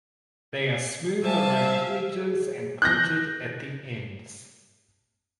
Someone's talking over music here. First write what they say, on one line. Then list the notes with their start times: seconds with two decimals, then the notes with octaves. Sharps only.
They are smooth around the edges and pointed at the ends.
1.23 G3 C5 E5 F5 G#5 A5
2.16 G#4
2.82 F#6 G6 A#6